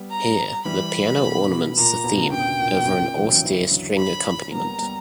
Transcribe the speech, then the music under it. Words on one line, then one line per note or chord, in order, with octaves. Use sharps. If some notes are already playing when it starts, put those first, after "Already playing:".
Here, the piano ornaments the theme over an austere string accompaniment.
Already playing: G3 B3
A#5
E3 G3 B5
B2
B2
A#2 A#5
B2
D3
C#3
B2 G5
B2
A#2
B2
A#2 C#3
E3
F#3
C#3 E3
C#3 E3
D3 F#3
B5
A#3
G3 B3 A#5
G3 B3